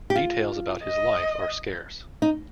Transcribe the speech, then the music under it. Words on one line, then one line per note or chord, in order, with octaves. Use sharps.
Details about his life are scarce.
G4
F4
D#5
D#4